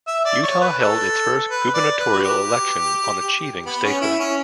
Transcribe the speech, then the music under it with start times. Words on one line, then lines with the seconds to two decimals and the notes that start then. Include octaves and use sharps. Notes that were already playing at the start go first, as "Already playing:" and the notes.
Utah held its first gubernatorial election on achieving statehood.
0.07 E5
0.25 D5
0.43 C#5
0.61 B4
0.79 A4
1.51 B4
1.74 D5
1.98 B4
2.12 F#4
2.23 G4
3.66 B3
3.83 C#4
4.01 E4
4.19 C#4